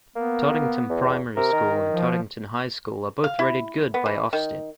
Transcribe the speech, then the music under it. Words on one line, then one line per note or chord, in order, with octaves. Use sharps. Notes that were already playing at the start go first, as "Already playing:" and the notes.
Tottington Primary School and Tottington High School are both rated good by Ofsted.
A#3 B3
E2
C3 A#4
D#3
F3
F5
E4
B3
E3
D#3